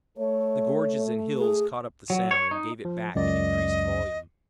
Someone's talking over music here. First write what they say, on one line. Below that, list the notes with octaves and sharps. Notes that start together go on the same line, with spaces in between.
The gorges and hills caught up the sound and gave it back in increased volume.
A3 C#5
G#4
F#3
C#5
D#4
F3
C#2 F#2 D5 D#5